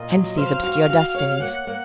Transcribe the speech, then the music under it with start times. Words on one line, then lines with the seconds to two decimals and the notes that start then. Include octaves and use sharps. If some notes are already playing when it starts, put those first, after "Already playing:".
Hence these obscure destinies.
Already playing: A#2 D#5
0.11 F#3
0.37 C5 F5
0.63 F#4
0.90 F#4
1.15 C#5
1.41 A#3 F#5
1.67 A#3